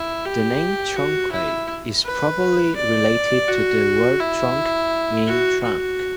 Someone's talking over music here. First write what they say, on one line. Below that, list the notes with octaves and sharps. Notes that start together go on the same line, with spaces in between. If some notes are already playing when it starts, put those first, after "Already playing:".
The name "Tronquay" is probably related to the word "tronc" meaning "trunk".
Already playing: E4
G4
F#4
E4
B4
D5
F#4
E4
F#4
F#4